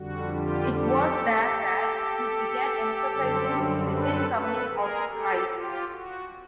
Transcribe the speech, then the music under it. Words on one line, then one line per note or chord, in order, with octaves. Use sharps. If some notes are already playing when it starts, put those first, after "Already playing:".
It was there that he began emphasizing the Second Coming of Christ.
Already playing: F2 D3 G3 F#4
F4 G4
G4 A4
F#2 D3 G3 C4
A4 B4
A4 B4
G#4 A#4
G4 A4
F4 G4
F#4